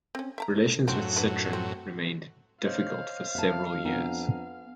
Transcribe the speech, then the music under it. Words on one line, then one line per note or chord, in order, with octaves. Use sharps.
Relations with Citroën remained difficult for several years.
C4 C#4
E5 A5 A#5
F#2 A2 F3 F#3 C4 D4
D4 B4
C4
C5 C#5 D#5 F5
F2 E5 A5
B3 D4 G#5 A#5